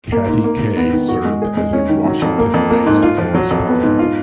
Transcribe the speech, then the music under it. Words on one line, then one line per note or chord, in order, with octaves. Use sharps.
Katty Kay served as a Washington-based correspondent.
A#3
G#2
A#3
G#2
B3
D#3
F#4
G#3
G#4
G#3
C#4
D#3
F#3
F2
A#3
F2
A#3
G#2
F4
F3
F#3
F2
B3
G#2
F4